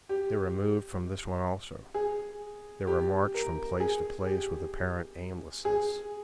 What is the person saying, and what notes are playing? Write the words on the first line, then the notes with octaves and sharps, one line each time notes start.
They were moved from this one also. They were marched from place to place with apparent aimlessness.
G4
G#4
G4
A#4
G#4
G4
G#4